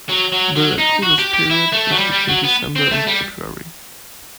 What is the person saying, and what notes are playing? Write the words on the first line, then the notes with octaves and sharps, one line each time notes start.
The coolest period is between December and February.
F#3
F#3
F#3
D#4
F#4
G4
G4
E4
A3
F#3
G3
G3
F#3
B3
C4
A3
G3